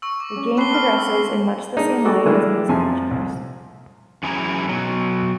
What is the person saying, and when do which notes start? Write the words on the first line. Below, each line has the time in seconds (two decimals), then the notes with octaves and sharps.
The game progresses in much the same way as musical chairs.
0.02 C#6 E6
0.20 D6
0.36 C#4
0.57 C4 A4 B4 D6 C7 G7
0.74 F6
0.98 E6
1.77 A#3 D4 D#4 G#4 D#5
2.05 F#4 A4 G#5 D6
2.26 E3 G#3 A3 D4 G4 A#4
2.69 F2 C3 F3 G#5
3.11 C2
4.23 F#2 E3 E4 G#4 G#5 A#5
4.69 B2 F#3